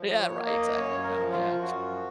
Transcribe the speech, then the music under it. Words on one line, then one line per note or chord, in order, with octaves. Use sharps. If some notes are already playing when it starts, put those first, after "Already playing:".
Yeah, right, exactly no, yeah.
Already playing: F3
C#5
A#3
D#5
F#2 C#5
A#4
F3
F4
F#2 F#4